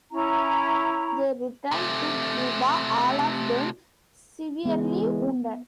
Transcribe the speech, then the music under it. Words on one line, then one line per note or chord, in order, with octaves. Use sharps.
They returned to Cuba, all of them severely wounded.
C#4 E4 A#5
C3 A3
C#3 E3 G#3 B3